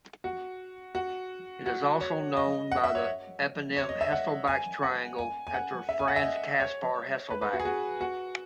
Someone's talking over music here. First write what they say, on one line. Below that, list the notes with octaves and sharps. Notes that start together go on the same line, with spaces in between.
It is also known by the eponym Hesselbach's triangle, after Franz Kaspar Hesselbach.
F#4
F#4
F#4
C#5
D#5
F#5
E5
C#5
C#5
D#5
E5
F#5
G#5
F#5
G#5
G#5
F#5
E5
G#5
F#5
E5
D#5
C#5
B4
B4
F#4
G#4
F#4
F#4